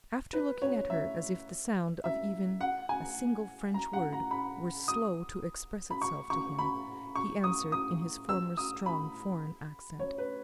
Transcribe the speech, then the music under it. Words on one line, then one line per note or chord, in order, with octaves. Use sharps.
After looking at her, as if the sound of even a single French word were slow to express itself to him, he answered, in his former strong foreign accent.
B4
C#5
E5
E5
F#5
G#5
A#5
F#5
A#5
B5
D#6
B5
C#6
C#6
B5
C#6
D#6
D#6
E6
D#6
B5
C#5
B4